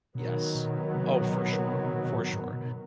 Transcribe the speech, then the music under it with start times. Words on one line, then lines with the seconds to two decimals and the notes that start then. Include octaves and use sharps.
Yes, oh, for sure, for sure.
0.15 B2 D#3 F#3 B3
0.55 B2
0.95 C3
1.22 B2
1.48 B2
1.74 C3
1.94 B2
2.14 A2
2.33 G#2
2.53 B2